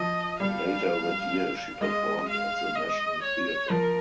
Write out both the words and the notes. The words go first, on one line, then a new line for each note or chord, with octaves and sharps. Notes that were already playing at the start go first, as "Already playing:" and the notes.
Later that year she performed at the National Theatre.
Already playing: F3 D#5
G3 F5
G#3 D#5
F5
D#5
C#5
F3 A#4